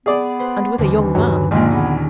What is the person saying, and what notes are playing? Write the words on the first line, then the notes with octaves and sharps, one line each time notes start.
'And with a young man?'
B3 G#4 D5
B4 C5
D#2 D3 E3 C4
G2 F#3
A#1 D#2 A#2 G#3
B3 C#4 G#4